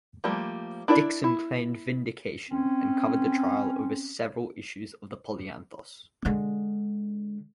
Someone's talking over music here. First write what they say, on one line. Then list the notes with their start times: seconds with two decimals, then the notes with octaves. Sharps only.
Dixon claimed vindication and covered the trial over several issues of the "Polyanthos".
0.24 F3 G3 A3 A#3
0.88 D4 E4 A#4 B4 D5
1.24 E4
2.51 C4 C#4
6.25 D3 G#3